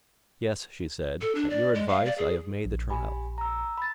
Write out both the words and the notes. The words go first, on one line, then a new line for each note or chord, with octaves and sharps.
"Yes," she said, "at your advice I have made the trial."
A4
D4
D5
G#3
F5
D5
G#4
A#1
G4 G#5 B5
A#5 E6
B5 A6